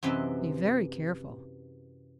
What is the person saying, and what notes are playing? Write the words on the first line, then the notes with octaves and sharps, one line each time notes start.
Be very careful.
F#2 C3 E3 C4 B4 D#5